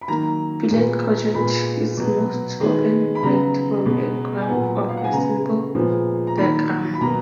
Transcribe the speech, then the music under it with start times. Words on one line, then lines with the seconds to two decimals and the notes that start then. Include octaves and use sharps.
Filet crochet is most often worked from a graph or a symbol diagram.
0.01 B5
0.08 D#3 F#3 A#3 A#5
0.71 A#2 G#3 B3
1.34 A#2 G#3 B3 B5
1.97 B2 F#3 B3
2.60 D#3 G#3 B3
3.15 B5
3.23 C#3 F#3 B3 A#5
3.86 B2 G#3 B3
4.41 G#5
4.48 A#2 F#3 B3 F#5
4.89 F5
4.97 F#5
5.04 G#5
5.12 C#3 G#3 B3 A#5
5.75 A#2 F3 G#3 B3
6.27 A#5
6.37 D#3 A#3 B5
6.94 B5
7.01 B2 F#3 A#3 A#5